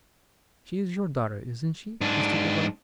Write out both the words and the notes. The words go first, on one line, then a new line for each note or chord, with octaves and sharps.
'She is your daughter, isn't she, Mr. Peggotty?'
G#2 D4